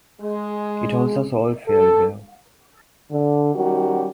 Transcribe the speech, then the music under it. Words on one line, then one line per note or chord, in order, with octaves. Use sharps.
It also sold fairly well.
G#3
A4
D3
D#3 F#3 G3 C#4 F#4 G4